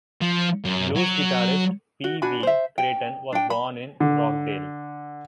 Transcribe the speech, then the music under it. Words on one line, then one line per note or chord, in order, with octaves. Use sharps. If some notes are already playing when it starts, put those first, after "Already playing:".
Blues guitarist Pee Wee Crayton was born in Rockdale.
F3
F#2
F#3
F#4
D4 F#4 G#5 B5
C5 E5
G5
D4 G5
B5
D3